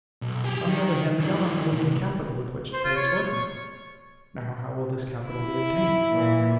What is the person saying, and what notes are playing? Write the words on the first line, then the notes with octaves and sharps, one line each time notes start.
On the other hand, the government will need capital with which to pay its workmen; now, how will this capital be obtained?
B1
G4 G#4
D#3
E3 D4
A2 C3
C5
F4
C#5
C#5
C#6
E4
A#2 E3